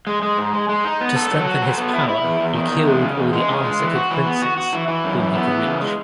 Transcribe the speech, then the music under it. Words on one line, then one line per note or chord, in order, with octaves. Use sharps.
To strengthen his power he killed all the Arsacid princes whom he could reach.
G#3
G#3
G#2
G#3
G#3
D#4
B3
A4
F#3
F#4
A4
B3
E4
E4
E2
E2
D#3
E2
G#3
C#3
E2
G#3
C#3
G#3
E3
F#4
E3
B3
F#4
F#4
E3
E3
F#2
E3
B3
E3
C#3
G#3